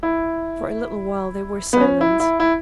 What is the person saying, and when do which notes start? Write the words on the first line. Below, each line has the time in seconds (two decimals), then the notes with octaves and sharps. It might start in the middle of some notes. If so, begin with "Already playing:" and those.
For a little while they were silent.
0.03 E4
1.73 B3
1.80 C#4
2.01 E4
2.20 E4
2.40 E4